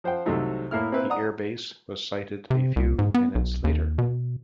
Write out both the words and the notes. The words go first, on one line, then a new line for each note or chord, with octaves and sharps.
The air base was sighted a few minutes later.
F3 C5 F#5 G5
C2 C3 D#3 F#3 A3 D#4
A2 A#3 E4 F6
A#3 C4 E4 B4
D5 F#5 A#5 D#6
C3
C2
G#2
B3
B1
D#2
B2